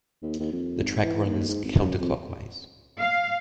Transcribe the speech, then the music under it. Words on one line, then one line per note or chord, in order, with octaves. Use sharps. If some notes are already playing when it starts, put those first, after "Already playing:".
The track runs counterclockwise.
D#2
D#2
F2
G#1
E3
D#2
G#2
G#1
F#2
F2
F5